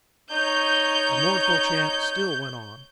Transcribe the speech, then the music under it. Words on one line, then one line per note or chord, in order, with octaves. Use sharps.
The mournful chant still went on.
D#4 C#5 G6